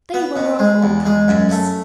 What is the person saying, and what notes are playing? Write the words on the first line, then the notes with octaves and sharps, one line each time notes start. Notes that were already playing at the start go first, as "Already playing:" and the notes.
They were of all countries.
B3
B2
G#3
E2
G#3
F#2
A3